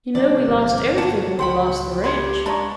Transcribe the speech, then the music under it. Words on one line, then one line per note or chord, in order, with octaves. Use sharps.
You know we lost everything when we lost the ranch.
C3 E3 F#3 G3 C5 D5
G1 G#2 F3
C#5 F#5 A5
C#2 D3 F#4 C5 F#5 G5 B5
G4 B5 C6 G#6 C#7
G#3 D4 E4 F4 A5 A#5 C#6